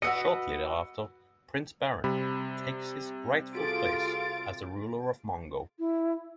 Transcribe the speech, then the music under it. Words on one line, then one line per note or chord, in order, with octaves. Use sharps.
Shortly thereafter, Prince Barin takes his rightful place as the ruler of Mongo.
F#4 B4 D#5 E6 C#7
C3 G3 B5
F4 F#4 G#4 A4 A6 D7
E4